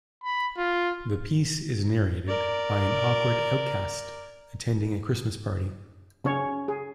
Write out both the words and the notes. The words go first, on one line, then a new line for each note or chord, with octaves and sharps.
The piece is narrated by an awkward outcast attending a Christmas party.
B5
F4
A#4 D5
C#3 C#4 C#5
G#4